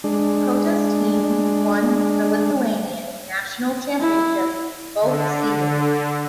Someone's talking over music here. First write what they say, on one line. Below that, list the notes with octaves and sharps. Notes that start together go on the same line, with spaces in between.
Cota's team won the Lithuanian National Championship both season.
G#3 D4
E4
D3